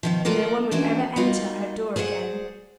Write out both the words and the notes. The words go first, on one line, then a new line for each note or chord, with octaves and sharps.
No one would ever enter her door again.
B2 D#3 F3
F#3 F4 A4 A#4 D5
E3 G#3 C#4 D4 F#4 C5
G3 A#3 D#4 F4 F#4
G#4 C5 D5 E5 F#5